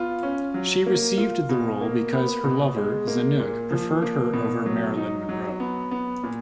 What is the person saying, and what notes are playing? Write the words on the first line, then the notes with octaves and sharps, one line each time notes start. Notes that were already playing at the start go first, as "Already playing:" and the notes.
She received the role because her lover, Zanuck, preferred her over Marilyn Monroe.
Already playing: B3 F4
C#4
F#3
A#3
F4
B2
A#3
B3
B2
G#3
A#3
A#2
F3
A#3
B2
F#3
D#4
F#3
B3
B3
A#2